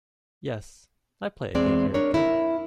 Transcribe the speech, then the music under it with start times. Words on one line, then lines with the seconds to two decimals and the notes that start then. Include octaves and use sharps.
Yes, I play a gay character.
1.55 E2 G#3 C4 D5
1.94 D4 A#4 C#5
2.14 E4 A#4